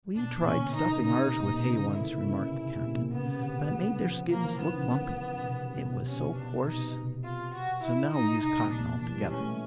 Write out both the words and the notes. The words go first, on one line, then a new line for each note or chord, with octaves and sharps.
"We tried stuffing ours with hay once," remarked the Captain; "but it made their skins look lumpy, it was so coarse; so now we use cotton altogether."
B2 D4
A#2
B2 C#4
D3
D#3 D#4
C#3
C3 D#4
B2
A#2
B2
C#3
D3
D#3 E4
C#3
C3
B2
A#2
B2
C3 B3
C#3
C3
D3
F3
F3 A#3
E3
D#3 B3
C#3
B2
C3
B2
C3
B2
B2 C#4
B2 D4
C3
B2 D#4
B2
C3
B2
F4
F#4
E4
D#4
C3 D#4
A#2
A#2 D4
B2
E3 D4
G3
G#3
C#4
A3